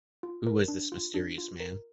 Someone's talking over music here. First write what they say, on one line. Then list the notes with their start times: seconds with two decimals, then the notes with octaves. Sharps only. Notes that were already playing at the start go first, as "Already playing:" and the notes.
Who was this mysterious man?
0.23 F4
0.47 A#4
0.68 D4
0.92 F4
1.14 D4
1.38 F4
1.60 A#4